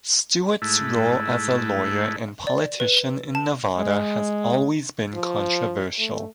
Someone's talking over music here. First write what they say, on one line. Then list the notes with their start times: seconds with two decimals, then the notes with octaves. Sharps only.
Stewart's role as a lawyer and politician in Nevada has always been controversial.
0.62 G#2 A3 E4
2.47 D5
2.80 B4
3.35 A5
3.78 G#3
5.14 F3
5.98 A3